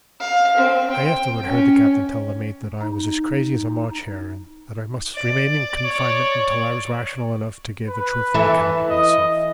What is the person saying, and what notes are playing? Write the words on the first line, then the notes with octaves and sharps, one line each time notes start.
I afterward heard the captain tell the mate that I was as crazy as a March hare, and that I must remain in confinement until I was rational enough to give a truthful account of myself.
F5
C4
G5
C#4
D#4
D5
C#5
B4
E3 A4 E5
D#5